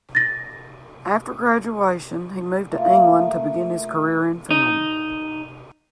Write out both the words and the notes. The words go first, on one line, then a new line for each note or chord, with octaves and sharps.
After graduation, he moved to England to begin his career in film.
A6 A#6
A3 A#3 F4
D#4